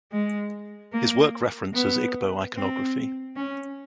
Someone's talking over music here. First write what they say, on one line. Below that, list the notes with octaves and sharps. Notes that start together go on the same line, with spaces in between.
His work references Igbo iconography.
G#3
A#3
B3
C4
C#4